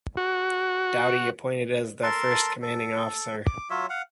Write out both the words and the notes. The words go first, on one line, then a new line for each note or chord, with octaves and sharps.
Dowdy appointed as the first Commanding Officer.
F#4
A4 A#4 A5 C6
A4
D6
F#3 F4 C#5 E5
F5 F#5